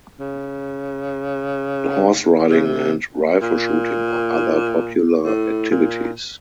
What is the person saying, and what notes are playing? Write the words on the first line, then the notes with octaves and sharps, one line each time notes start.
Horse riding and rifle shooting are other popular activities.
C#3
C3
C#3
C3
A#2
A2
A#2